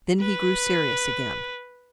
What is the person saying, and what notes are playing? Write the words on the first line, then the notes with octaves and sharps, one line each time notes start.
Then he grew serious again.
B4